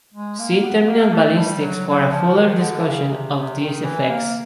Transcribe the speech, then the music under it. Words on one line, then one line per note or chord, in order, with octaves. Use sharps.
See terminal ballistics for a fuller discussion of these effects.
G#3
A#3
B3
A#3
A3
G3
F#3
F#3
F3
D#3
D3
C#3
C3
C3
D#3
E3
A#3